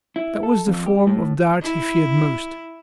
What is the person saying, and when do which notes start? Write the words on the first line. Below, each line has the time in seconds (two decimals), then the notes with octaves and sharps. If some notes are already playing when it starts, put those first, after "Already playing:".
That was the form of doubt he feared most.
0.16 E4
0.43 A4
0.67 F2
0.86 G4
1.07 A2
1.62 E4